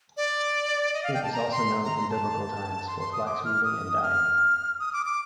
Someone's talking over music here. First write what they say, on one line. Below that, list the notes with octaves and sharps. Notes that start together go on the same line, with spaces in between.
It was also known in biblical times for flax weaving and dyeing.
D5
D#5
F5
G5
A5
A#5
C6
A#5
C6
A5
C6
C6
D#6
D6
F6
D#6
F6
D#6
D6
D6